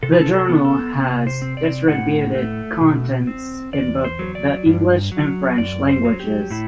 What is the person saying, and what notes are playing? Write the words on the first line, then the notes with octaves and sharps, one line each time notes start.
The journal has distributed contents in both the English and French languages.
C3 A4
B4
A4
A4
B3
A4
C3
C5
C4
D5
A2 F#5
A3
B2
C4
E2 D5
C5
F#3
D5
G2
F#3
F#2 D5
C5
F#3
G4
A2 E4